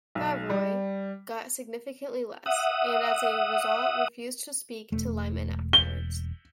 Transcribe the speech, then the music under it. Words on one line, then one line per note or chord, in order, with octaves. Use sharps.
Favreau got significantly less, and as a result refused to speak to Liman afterwards.
B1
G3
E5 F#5 D#6
E1 A3
G7